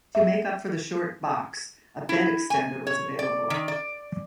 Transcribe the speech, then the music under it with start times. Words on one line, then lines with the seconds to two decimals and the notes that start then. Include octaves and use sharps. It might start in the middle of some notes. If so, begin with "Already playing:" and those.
To make up for the short box, a bed extender was available.
0.15 E5
2.09 E4
2.50 G#5
2.87 C#5
3.19 D5
3.50 D#3
3.68 D5